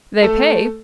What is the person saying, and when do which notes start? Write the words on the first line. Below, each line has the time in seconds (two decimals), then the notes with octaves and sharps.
They pay.
0.22 A3 A4